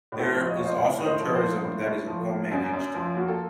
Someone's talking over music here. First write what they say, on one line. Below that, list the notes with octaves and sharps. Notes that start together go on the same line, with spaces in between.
There is also tourism that is well managed.
A2
A4 C5
F3
D#5
A#3 C#5
C5 D#5
A2 C#5 F5
A2
C5 D#5
F3
A4 C5
A#3
A2
A2
F3
A#3
F#2
F#2
F3
A#3 F#4
A4